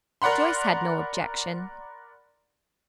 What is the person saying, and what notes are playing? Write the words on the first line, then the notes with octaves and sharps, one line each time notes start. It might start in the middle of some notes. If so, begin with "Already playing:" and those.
Joyce had no objection.
A#4 D5 F#5 B5 C6